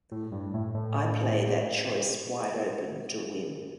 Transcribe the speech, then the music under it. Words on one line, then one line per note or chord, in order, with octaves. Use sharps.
I play that choice wide open to win.
A2
G2
A2
A2